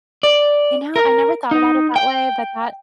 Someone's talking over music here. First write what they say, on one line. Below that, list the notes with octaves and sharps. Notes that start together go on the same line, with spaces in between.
You know, I never thought about it that way, but that
D5
A#4
D#4
G5